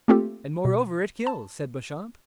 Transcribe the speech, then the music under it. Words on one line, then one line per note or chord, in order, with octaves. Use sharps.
"And moreover, it kills," said Beauchamp.
A3 A#3 C4 F4 G4 A4
B2
A5